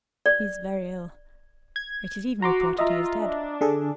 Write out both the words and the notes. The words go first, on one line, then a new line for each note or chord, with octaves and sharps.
"Is very ill; it is even reported he is dead."
D5
G#6
F#4 A#5 C6 D6
F4 D#5 E5 A#5
D4
D3 G#4 A4